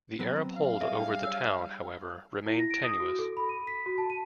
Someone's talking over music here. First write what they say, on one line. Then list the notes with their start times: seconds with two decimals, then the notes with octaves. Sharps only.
The Arab hold over the town, however, remained tenuous.
0.19 F#3 B3 C4
0.56 F5
0.81 G3 G#4 D5 E5
0.96 D4 G5
1.24 C#5 E6
2.46 E4
2.59 A#6
2.71 D7
2.83 D#6
3.00 F#4
3.19 A4
3.37 B5
3.49 D#7
3.67 B6
3.86 F#4
3.98 A5
4.10 D#7